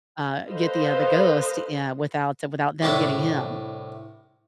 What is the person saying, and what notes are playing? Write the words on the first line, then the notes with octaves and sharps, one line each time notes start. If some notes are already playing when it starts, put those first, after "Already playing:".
uh, get the, uh, the ghost, uh, without without them getting him.
A4 B4 C5 D#5 F5
C2 A2 D4 E5